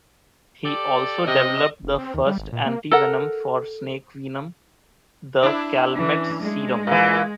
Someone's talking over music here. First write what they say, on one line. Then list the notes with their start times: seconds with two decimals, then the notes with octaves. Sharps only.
He also developed the first antivenom for snake venom, the Calmette's serum.
0.65 G4 A4 D5
1.27 C3 D#5
1.83 F1
1.98 C4
2.14 D#2
2.26 G3
2.38 G#1
2.52 A#2
2.66 A#3
2.91 A4 A#4 F#5
5.43 D4 E4
5.94 E3 C#4
6.41 G#3
6.87 A#2 E3